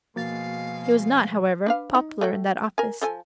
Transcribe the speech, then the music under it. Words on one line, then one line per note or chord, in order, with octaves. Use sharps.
He was not, however, popular in that office.
B2 F3 G#3 A#3 F#4 F5 A6
D4 B4 F5
D#4
A3 F#4 G5
A#4 G#5
F3 A4 G#5